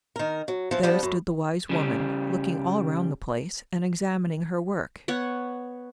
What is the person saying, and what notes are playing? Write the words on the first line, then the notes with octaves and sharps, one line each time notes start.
There stood the wise woman, looking all round the place, and examining her work.
D#3 A#4
F#3
E3 F3
F3 G3 B3 D4
F#2
C#3 G3
B3 C#5 F#5